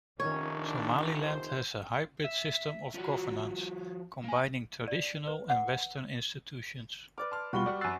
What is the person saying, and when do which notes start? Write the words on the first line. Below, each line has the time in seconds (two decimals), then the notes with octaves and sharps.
Somaliland has a hybrid system of governance combining traditional and western institutions.
0.20 F1 D#3 C#4 C#5
0.59 D4
1.21 C5
2.24 E5
2.94 F3 F#4
4.24 A#3 G#5
4.88 D5
5.27 B4
5.50 F#5
7.18 B4 D5 D6 F6
7.31 A5 C6 F6
7.53 D#2 B2 G3 F4 F#4 B5 G7
7.66 G3 D5 F#5 C#6
7.81 F#2 E6 F#6 A6 C7